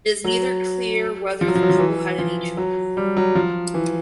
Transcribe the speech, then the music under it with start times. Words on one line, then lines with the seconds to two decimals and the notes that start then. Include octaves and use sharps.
It is neither clear whether the couple had any children.
0.24 F#3
1.41 F3
1.48 F#3
1.55 F3
1.63 F#3
1.69 F3
1.80 E3
2.18 F3
2.57 F#3
2.97 G3
3.17 F#3
3.35 F3
3.74 E3